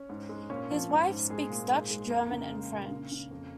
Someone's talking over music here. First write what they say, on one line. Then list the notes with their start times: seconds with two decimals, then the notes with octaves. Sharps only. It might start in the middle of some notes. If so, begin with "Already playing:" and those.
His wife speaks Dutch, German and French.
Already playing: C#4 C#5
0.09 G#2
0.29 G#3
0.50 A#2 C#4 C#5
0.70 F3
0.90 G#2
1.10 G#2
1.30 G#3 G#4
1.50 A#2
1.71 G#2
1.91 G#3
2.10 F2 A#3 A#4
2.31 C#3
2.50 G#3
2.71 A#2
2.91 C#3
3.12 C#3
3.31 F2